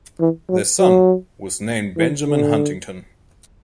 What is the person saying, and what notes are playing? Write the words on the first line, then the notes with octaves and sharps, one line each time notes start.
Their son was named Benjamin Huntington.
E3
F#3
F#3
E3
D3